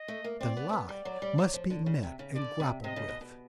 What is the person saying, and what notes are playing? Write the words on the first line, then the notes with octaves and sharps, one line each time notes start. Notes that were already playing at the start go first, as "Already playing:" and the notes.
The lie must be met and grappled with.
Already playing: D#5
A3
A#3
C4 D5
B3
C4
B3
G3 D5
F#3
G3
F#3
F3
D3
C#3
C3
C#3
D3 D5
C3
C3 D#5
C#3
B2
B2